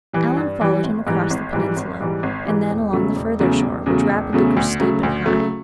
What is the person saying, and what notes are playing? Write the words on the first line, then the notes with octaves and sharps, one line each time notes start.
Alan followed him across the peninsula and then along the further shore, which rapidly grew steep and high.
E3 G3
G2
E3 G3
G#1
G#2 E3 G3
G#1
G#2 E3 G3
G#1
G#2 E3 G3
G#1
G#2 E3 G3
E1
E2 C#3 F#3 A3
E1
E2 C#3 F#3 A3
E1
E2 C#3 F#3 A3
E1
E2 C#3 F#3 A3
D2
C#3 F#3 A3
D2
C#3 F#3 A3